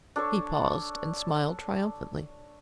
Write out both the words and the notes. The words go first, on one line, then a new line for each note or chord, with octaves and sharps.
He paused and smiled triumphantly.
D4 A4 C#5